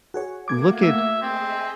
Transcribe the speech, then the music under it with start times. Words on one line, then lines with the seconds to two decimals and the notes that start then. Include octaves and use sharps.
Look at
0.14 F#4 G#4 C#5
0.48 A3 A#3 F#4 D6 G#6
0.83 E5
1.22 C4 G#4 D#5 E5